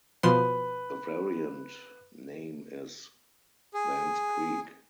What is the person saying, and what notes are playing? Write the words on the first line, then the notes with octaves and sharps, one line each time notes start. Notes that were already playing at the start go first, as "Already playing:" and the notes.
A variant name is "Vans Creek".
B2 F3 B4 C6
G#4